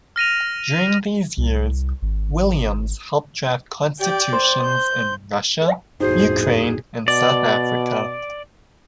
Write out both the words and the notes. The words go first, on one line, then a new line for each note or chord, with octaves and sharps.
During these years, Williams helped draft constitutions in Russia, Ukraine, and South Africa.
F6 A#6 D#7 F7
C2
G#1
G4 D5 G5
C5 C6
G6
G1 F2 A2 D#4 F#4 G#4 C5
B2 D5